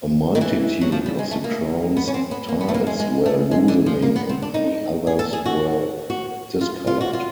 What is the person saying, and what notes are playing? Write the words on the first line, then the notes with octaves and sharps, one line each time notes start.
A multitude of the crown's tiles were loosening and many others were discolored.
D#3
E3
F#3
F3
G3
G#3
A3
A#3
B3
C#4
C4
B3
A#3
B3
A3
A#3
G#3
G#3
A3
G#3
D3
F3
A#3
B3
C4
D4
D#4
G#4
A4
G#4
F#4
F#4
F4
F4
F#4
F4